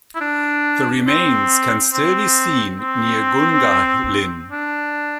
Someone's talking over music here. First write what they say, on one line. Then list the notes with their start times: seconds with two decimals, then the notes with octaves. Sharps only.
The remains can still be seen near Gungahlin.
0.15 E4
0.21 D4
1.07 C4
1.93 C4
2.80 C4
4.51 D4